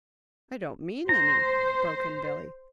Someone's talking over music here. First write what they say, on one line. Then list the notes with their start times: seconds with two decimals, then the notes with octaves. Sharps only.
"I don't mean any," broke in Billy.
1.09 C5 A#5